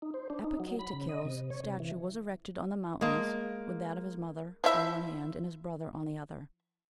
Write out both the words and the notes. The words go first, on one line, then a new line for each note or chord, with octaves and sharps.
Apocatequil's statue was erected on the mountains, with that of his mother on one hand, and his brother on the other.
D#4
C5
D4
D#4
F#3
B5
C#3
D#5
C3
C#5
C3
E3
G#3 A#3
F3 E4 E5